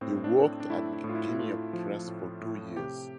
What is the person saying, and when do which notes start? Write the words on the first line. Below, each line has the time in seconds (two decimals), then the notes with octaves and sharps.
He worked at Guinea Press for two years.
0.01 A2 C4
0.24 D4
0.35 A2
0.60 D4
0.70 A3 E4
0.93 E4
1.04 A2
1.09 F4
1.15 E4
1.29 E4
1.39 A3 F4
1.73 F3
2.07 A2
2.41 A2
2.77 C3 G4